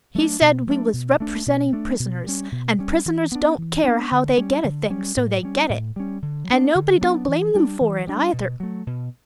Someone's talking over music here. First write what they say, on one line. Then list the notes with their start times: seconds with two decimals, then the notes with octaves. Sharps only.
He said we was representing prisoners; and prisoners don't care how they get a thing so they get it, and nobody don't blame them for it, either.
0.15 F#3 A3 D4
0.41 B2
0.67 F#3 A3 D4
0.93 B2
1.20 A3 D4
1.46 B2
1.73 A3 D4
1.99 B2
2.26 G3 C#4
2.52 B2
2.79 G3 C#4
3.05 E3
3.32 B3 D4
3.58 E3
3.84 B3 D4
4.11 D3
4.37 G3 C#4
4.64 D3
4.90 G3 C#4
5.17 A2
5.43 G3 C#4
5.69 A2
5.96 G3 C#4
6.22 D3
6.49 F#3 B3 D4
6.75 D3
7.01 F#3 B3 D4
7.28 E3
7.55 G3 D4
7.81 E3
8.07 G3 D4
8.33 B2
8.60 F#3 A3
8.87 B2